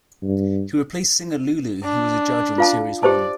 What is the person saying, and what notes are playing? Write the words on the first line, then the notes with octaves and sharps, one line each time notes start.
He replaced singer Lulu, who was a judge on series one.
G2
D4
F4 F5 A5
G4 C5 D5 A5